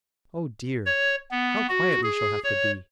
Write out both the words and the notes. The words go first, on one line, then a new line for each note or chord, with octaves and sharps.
Oh dear, how quiet we shall have to be!
C#5
B3
F#4
G#4
C#5